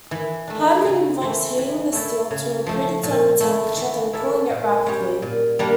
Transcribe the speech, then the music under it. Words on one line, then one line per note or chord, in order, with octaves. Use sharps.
Hardening involves heating the steel to a predetermined temperature, then cooling it rapidly.
E3
A3 D4
C#3
E3 A3
E3
A3 E4 A4
C#3
F3 A3
A#2
A3 E4
E3
A#3 E4 A4
A#2
G3 C#4 G4
A#2
G3 A#3 D4